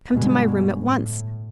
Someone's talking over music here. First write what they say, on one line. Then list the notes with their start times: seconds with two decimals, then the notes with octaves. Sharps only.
Come to my room at once.
0.12 G2 B2 D3 G3 G#3
0.76 A2